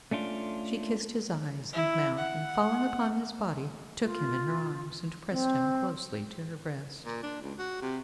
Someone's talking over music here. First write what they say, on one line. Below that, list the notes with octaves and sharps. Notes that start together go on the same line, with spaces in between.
She kissed his eyes and mouth, and falling upon his body, took him in her arms, and pressed him closely to her breast.
A3 C#4 D4 F4
E4
F#5
F4
C4
A#2
D4
C#2
F#4
C3